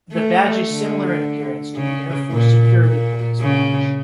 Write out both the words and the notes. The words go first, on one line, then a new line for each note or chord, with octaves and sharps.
The badge is similar in appearance to the Air Force Security Police Badge.
A3
D3
C#3
A#2
A#2
C#3